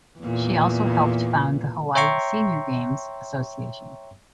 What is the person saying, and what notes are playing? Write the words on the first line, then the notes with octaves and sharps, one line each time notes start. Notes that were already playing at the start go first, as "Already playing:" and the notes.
She also helped found the Hawaii Senior Games Association.
E2 A#2
C#5 E5 G5 A#5 C6 C#6